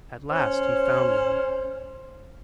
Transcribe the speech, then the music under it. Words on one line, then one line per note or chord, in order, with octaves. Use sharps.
At last he found one.
C#4 C5